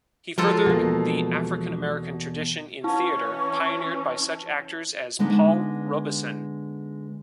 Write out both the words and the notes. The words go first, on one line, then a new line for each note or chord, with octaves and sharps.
He furthered the African-American tradition in theatre pioneered by such actors as Paul Robeson.
F3 F#3 G#3 F4 A4 A#4
E2 B2 A#3
E3 C#4 E4 A5 C#6
D3 G#3 B3 D#4